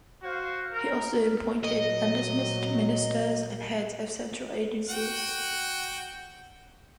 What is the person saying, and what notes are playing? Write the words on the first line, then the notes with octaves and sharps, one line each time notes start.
He also appointed and dismissed ministers and heads of central agencies.
F#4 C5 F5
A#4
A#2 F#3 D#5
F#4 F#5 G5